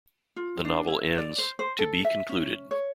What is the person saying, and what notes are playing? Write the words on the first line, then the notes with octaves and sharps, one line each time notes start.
The novel ends "To Be Concluded".
F4
D4
E4
D5
C5
C5
A4
E5
C#4
C#5